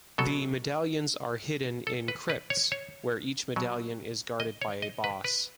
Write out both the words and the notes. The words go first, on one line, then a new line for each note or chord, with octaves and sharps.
The medallions are hidden in crypts, where each medallion is guarded by a boss.
B2 F#3 A4
A4
B4
B4
C#5
C#5
B2 F#3
D#5
C#5
D#5
B4
B4